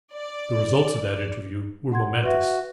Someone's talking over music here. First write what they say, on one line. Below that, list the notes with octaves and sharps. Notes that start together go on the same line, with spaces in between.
The results of that interview were momentous.
D5
F#5 C6 G#6
F#4 B4 E5